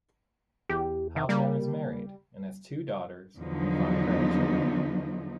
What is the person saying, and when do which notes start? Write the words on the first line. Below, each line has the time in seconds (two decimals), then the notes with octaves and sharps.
Haubner is married and has two daughters and five grandchildren.
0.69 E2 G4
1.16 D#3
1.29 G3 A#3
3.37 E2 D3 F3 F#3 B3 D#4